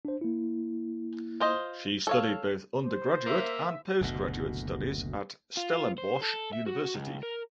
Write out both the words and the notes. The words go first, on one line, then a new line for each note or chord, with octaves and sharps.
She studied both undergraduate and postgraduate studies at Stellenbosch University.
D4 C5
A#3 E4
F4 C5 D#5
A4 C#5 F5 E6
C5
A#3 E5
F#1 D2 B2
F4
C5
A4
E5
F#4
C#2
A#4